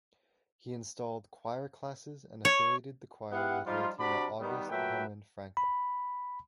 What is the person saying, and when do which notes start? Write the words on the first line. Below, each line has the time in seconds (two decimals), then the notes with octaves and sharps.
He installed choir classes and affiliated the choir with Latina August Hermann Francke.
2.45 C#5
3.32 B3 E4 G4 F5 F#5
3.66 F3 G3 D#4 F4
3.98 C3 D4 F#4 D5 B5
4.40 D#3 G3 B3
4.70 A#2 F#3 A3 B4 E5 G5
5.57 B5